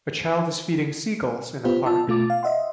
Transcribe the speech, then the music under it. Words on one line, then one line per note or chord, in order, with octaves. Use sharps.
A child is feeding seagulls in a park.
B3 F4 G4 B4 C5
F4 A5 E6
B2 A3 F4 D6 A6
F5
D#5 E5 F#5 C6